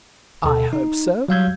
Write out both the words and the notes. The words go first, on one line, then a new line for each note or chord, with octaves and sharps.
"I hope so."
D2 B2 A4
D#4
F#3 G3 F5 E6 G6 G#6